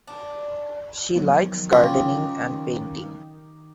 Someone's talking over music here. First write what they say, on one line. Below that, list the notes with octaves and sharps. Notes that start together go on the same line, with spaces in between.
She likes gardening and painting.
D4
D#3 F3 F#3 B3
C#3 F4 G4 G#4 A#5